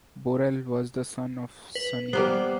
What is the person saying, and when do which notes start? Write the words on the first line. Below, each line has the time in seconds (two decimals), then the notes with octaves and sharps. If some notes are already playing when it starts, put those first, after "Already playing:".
Borrell was the son of Sunyer.
1.75 B4
2.13 G3 A#3 B3 C5